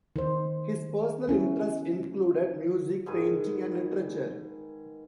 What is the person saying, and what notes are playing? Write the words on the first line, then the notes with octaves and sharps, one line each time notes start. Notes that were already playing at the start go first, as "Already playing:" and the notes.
His personal interests included music, painting and literature.
D#3 C5
B3 C#4 E4
G#2 D#3 G#4 B4